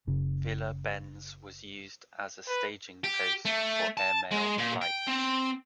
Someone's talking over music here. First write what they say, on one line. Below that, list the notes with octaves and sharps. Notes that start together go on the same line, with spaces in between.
Villa Bens was used as a staging post for airmail flights.
F#1 C#3 C#4
B4
G4
A3
A5
G#3
A#2
G5
C4